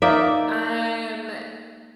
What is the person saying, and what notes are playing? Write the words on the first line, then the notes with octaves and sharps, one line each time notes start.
Um, eh,
A#3 D#4 D5 E5